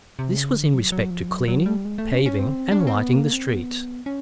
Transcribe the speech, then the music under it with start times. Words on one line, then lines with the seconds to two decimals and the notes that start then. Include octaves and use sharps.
This was in respect to cleaning, paving, and lighting the streets.
0.19 C3
0.36 C#3
0.55 D3
0.74 F#3
0.92 F#3
1.10 F3
1.29 F#3
1.48 F#3
1.66 G3
1.85 G#3
1.98 A3
2.12 C#4
2.26 C#4
2.39 C4
2.72 D4
2.80 C#4
2.87 C4
2.95 B3
3.14 A#3
3.33 C4
3.51 B3
4.06 C#4